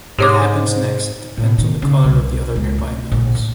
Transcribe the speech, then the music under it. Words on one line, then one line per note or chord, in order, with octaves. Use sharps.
What happens next depends on the color of other nearby nodes.
G#2 G4 C#5 D6
A2
D#3
C#3
C2
C#2
A3
A#1
A2